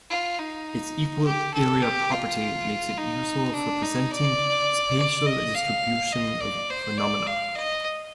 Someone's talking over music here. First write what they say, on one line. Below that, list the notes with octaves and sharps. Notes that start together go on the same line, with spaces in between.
Its equal-area property makes it useful for presenting spatial distribution of phenomena.
F4
D#4
G4
A4
G4
F4
D#4
D4
D#4
D5
D5
D#5
F5
D#5
D5
C5
D5
F5
D#5